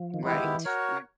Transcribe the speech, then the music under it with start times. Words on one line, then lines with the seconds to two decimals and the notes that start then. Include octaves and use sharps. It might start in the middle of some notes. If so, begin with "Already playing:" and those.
Right, right.
Already playing: F3
0.14 D#3
0.23 E3 G#3 B3 E4 G4
0.33 D#3
0.44 D#3
0.55 E3
0.65 F#4 A#4 C#5